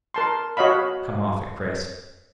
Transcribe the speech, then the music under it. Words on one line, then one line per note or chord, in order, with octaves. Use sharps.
"Come off it, Chris!"
A#4 A5 C6
F#4 C#5 D#5 F5 B5